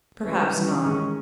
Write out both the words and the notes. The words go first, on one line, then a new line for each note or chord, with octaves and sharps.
'Perhaps not.
E3 G3 C#4
E3 G3 C#4
D#3 G#3 C#4